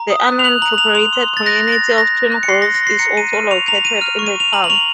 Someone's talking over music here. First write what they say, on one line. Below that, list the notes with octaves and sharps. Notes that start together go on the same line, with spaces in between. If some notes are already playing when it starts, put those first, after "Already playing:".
The unincorporated community of Twin Grove is also located in the town.
Already playing: A#5
D#6
F#6
F7
F#6 F#7
A#5 F#7
A#5 F7
C6 F7
C6
C6
A6
F#6 A#6
F#6 A#6
A6
C6
F#6 A#6
F#6
F#6
C#7
C6 C7
C6 A#6
A#6
C6 C7
A#5 C#7
A#5 D#7
F6 D#7
C#6 F7
A#5 F7
A#5 D#7
F6
C#6
D#7
C#6 F7
A#5 F#7
F#7
C#6 F7